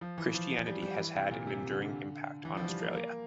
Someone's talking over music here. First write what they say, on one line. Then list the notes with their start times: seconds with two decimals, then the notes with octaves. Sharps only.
Christianity has had an enduring impact on Australia.
0.01 F3
0.18 E3
0.34 F3
0.67 G3
0.82 G3
0.98 E3
1.15 C3
1.31 A#2
1.47 C3
1.71 D3
2.45 E3
2.57 F3
2.68 G3
2.81 A#3
2.93 A#3